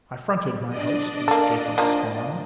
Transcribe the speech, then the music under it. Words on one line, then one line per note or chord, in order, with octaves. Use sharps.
I fronted my host, this Jacob Spawn.
D4 D5 D#5
A#3 A4
F3 A#3 D#4